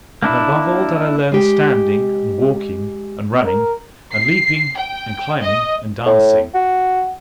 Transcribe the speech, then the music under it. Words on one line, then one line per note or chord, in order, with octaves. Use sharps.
And above all did I learn standing and walking and running and leaping and climbing and dancing.
A#3 D4 E4
G#3 G4 G5
A#4
C7
G5
D#5
A2
F#4